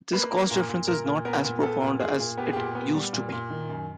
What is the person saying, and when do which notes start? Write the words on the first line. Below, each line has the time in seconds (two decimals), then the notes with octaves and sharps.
This cost difference is not as profound as it used to be.
0.12 A#3 B4
0.31 A#3
0.50 A#2 A#4
0.69 A#2
0.87 A#2 A#4
1.06 A#2
1.25 B3 A#4
1.44 A#2
1.63 B3 A4
1.82 A#2
2.00 A#2 G#4
2.20 A#2
2.37 B3 G4
2.46 G#4
2.53 A#2 G4
2.75 B3
2.95 G3
3.13 A#2
3.32 A#2
3.50 D#3
3.69 F#2